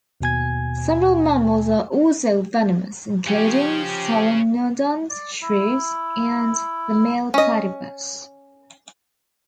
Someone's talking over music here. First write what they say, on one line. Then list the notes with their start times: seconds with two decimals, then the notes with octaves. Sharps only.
Several mammals are also venomous, including solenodons, shrews, and the male platypus.
0.21 D#2 B2 G#5 G#6
3.27 C#3 F3 C#4 G4
5.10 D5
5.41 E4
7.34 C#4 D#5